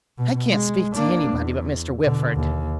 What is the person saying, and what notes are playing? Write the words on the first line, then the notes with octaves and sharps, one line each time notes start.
"I can't speak to anybody but Mr. Whitford."
B2
G#3
A#3 D4
E2
B2 D3
D#2